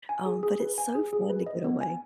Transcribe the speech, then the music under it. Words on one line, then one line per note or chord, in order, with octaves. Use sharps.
Um, but it's so fun to get away.
G#5
G#4
G#4
B4
G#5
G#4
G#4
B4
D#5
B3
G#5